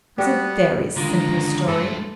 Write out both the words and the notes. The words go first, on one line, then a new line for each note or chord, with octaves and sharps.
It was a very simple story.
G3 B3 F#4
D3 D#3 G#3 F4 A#4 A#5
G2 G#3 A3 A4 B4